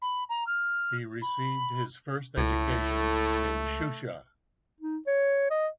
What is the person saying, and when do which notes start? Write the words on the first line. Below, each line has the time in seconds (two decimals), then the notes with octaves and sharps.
He received his first education in Shusha.
0.02 B5
0.29 A#5
0.46 F6
1.22 B5
2.37 C#2 A2 A3
4.81 D#4
5.07 C#5
5.50 D#5